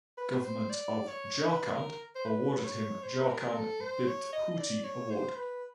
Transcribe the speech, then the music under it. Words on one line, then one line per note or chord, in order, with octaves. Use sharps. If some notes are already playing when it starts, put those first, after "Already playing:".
Government of Jharkhand awarded him Jharkhand Bibhuti Award.
B4
C5
D5
C#5
B4
A#4
C5
B4
C#5
C5
B4
A#4
A4
C5
C#5
D#5
D#5
D5
C#5
C5
B4